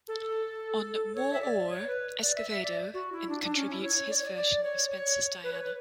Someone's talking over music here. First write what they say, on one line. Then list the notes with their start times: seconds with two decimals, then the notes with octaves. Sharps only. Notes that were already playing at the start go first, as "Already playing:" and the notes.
On "More Oar", Escovedo contributes his version of Spence's "Diana".
0.08 A4
1.15 C#5
1.33 E5
1.42 D5
1.70 C#5
1.87 B4
2.23 D5
2.36 E5
2.49 E5
2.63 D5
2.94 F#4
3.12 E4
3.29 D4
3.44 D4
3.56 C#4
3.71 E4
3.83 C#5
4.10 D5
4.17 C#5
4.24 D5
4.36 D5
4.63 C#5
4.91 C#5
5.44 B4
5.53 C#5
5.61 B4